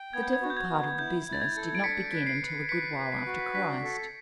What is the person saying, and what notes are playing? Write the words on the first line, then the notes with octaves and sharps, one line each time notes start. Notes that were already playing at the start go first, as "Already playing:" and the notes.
The devil part of the business did not begin until a good while after Christ.
Already playing: G5
B3 G#6
G6
G#6
F#4
G6
G#6
B3
E4 G6
E4
A6
G#6
A4
D7
D4 B6 C#7
B4
C7 D7
B4
B4 B6 C#7
B4
C7
F#4
D4 B6
A4